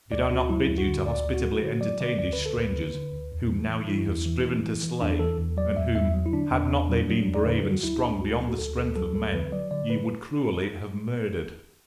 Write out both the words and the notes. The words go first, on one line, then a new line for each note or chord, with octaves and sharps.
Did I not bid you to hospitably entertain these strangers, whom now ye have striven to slay, and whom, had not they been brave and strong beyond the strength of men, ye would cruelly have murdered?
D2 D5
D2 F#4
F#3 E4
D2
F#4
D3
D2 D5
D2
F#4
F#3
A4
D3 F#4
F#3 D5
D3 D5
D2 D5
D3 B4
A4
D2 B4
D3
D3
D2
E2
E3
E3
E3 E4
E2
E3
E3
E3
E3
E2 D4
E3 A4
E2
F#3 D5
E2 E5
E2 E5
F#3
E4
D3 D4
E2 D4
E2
F#3
F#3
E2
D5
D3 B4
A4
F#3
F#4
D2 E4
D2 D4
D2 F#4
F#3
F#4
D2 A4
D2 A4
F#3 A4
D2 A4
D3 B4
F#3 D5
D3 D5
B4